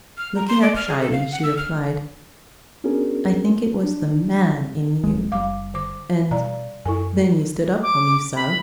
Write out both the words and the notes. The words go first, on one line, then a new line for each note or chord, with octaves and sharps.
Looking up shyly, she replied, "I think it was the MAN in you--and--then you stood up for me so."
F6
A#5
C6
D5
F6
G#4
A4
F5
F#5
E6
F6
B3 C#4 D4 F#4 G#4 A#4
D4
D1 G#3
F#1 G3 F5 D6
D3 D6
B2 G3 D5 A#5
F#2 E4 A4 G#5
D6
B5